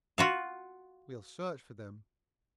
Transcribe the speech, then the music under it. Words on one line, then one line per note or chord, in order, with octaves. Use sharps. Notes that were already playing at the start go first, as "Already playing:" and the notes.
We'll search for them.
F4 F#4 F5